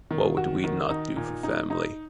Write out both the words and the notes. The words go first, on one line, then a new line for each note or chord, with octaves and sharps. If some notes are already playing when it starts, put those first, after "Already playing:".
What would we not do for family?
D#3
F#4
D#3
D#4
A#2
D#4
D#4